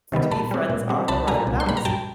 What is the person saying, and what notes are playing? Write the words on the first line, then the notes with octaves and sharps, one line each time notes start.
to me, friends are the ride or dies.
C3 D#3 G3 B3
A#2 A5 B5
G3 C4
A#2
G3 C4
C2 A5 B5
A#2 G3 G#5 A#5
C2
C6
A#2 G3 B5
A#5
F#2 G5 A5